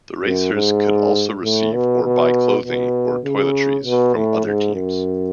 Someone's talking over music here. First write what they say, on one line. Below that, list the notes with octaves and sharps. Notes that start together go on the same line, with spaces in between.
The racers could also receive or buy clothing or toiletries from other teams.
F#2
G#2
A2
B2
B2
B2
C#3
B2
A2
G#2
F#2